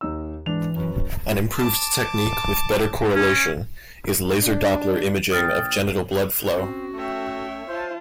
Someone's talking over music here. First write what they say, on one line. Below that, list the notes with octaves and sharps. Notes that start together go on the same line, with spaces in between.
An improved technique with better correlation is Laser Doppler imaging of genital blood flow.
D#2 D#4 E6
G#2 E3 D4 F7
F#2 B4
A5 D6
C#4
D4
A#1 G5 D#6 F6 A6
C4 C#4 F#4
A3 C#5 E5 G5
F4 C5 A5